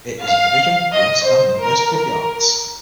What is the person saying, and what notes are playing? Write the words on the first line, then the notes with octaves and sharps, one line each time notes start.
It is a division of the Amsterdam University of the Arts.
F5
D#5
C5
A#4
A#4